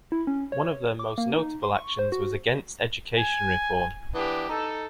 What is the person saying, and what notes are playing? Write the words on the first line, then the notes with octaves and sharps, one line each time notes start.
One of their most notable actions was against education reform.
E4
C#4
C#5
D6
A#3
D#4
C6
C#6
C5
F#4
G#5
E3 B3 D4 G4
D#4 A4